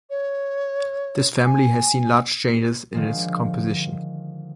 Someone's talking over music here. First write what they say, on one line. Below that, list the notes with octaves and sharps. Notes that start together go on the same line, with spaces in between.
This family has seen large changes in its composition.
C#5
G#5
D3 D#3 F3 G#3